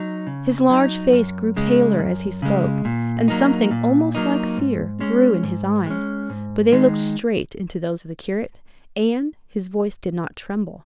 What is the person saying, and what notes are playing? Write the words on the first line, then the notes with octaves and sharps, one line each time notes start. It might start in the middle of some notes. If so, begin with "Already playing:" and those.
His large face grew paler as he spoke, and something almost like fear grew in his eyes, but they looked straight into those of the curate, and his voice did not tremble.
Already playing: F#3 D#4
C#3
F#3 D#4
F#2
C#3 G#3
F#2
C#3 G#3
A#2
F#3 A#3 D#4
A#2
F#3 A#3 D#4
G#2
G#3 C#4
G#2
G#3 C#4
G#2
D#3 G#3 D#4